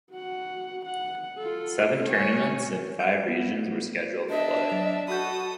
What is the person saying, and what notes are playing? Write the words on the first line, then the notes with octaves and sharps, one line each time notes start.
Seven tournaments in five regions were scheduled to played.
F#4 F#5
F#5
F4 A4
C#5 G#5
G6 C#7
B3
D4 D#5 E5
F#3 F7
F#4 A4 B5 D#6 G6